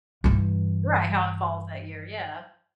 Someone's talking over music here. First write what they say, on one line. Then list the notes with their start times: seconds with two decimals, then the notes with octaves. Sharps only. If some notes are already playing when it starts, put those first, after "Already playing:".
Right, how it falls that year, yeah.
0.24 G2 E3